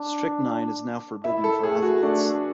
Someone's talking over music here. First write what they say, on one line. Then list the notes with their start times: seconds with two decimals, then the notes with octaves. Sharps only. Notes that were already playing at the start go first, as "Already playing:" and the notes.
Strychnine is now forbidden for athletes.
Already playing: D4
1.24 E4 E5
1.44 A4
1.63 A3 G#4
1.82 F#4
2.02 A3 D4